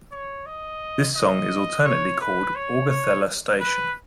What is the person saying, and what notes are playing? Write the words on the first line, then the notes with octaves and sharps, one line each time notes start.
This song is alternately called "Augathella Station".
C#5
D#5
D#5
C#5
B4
C#5
C#5
B4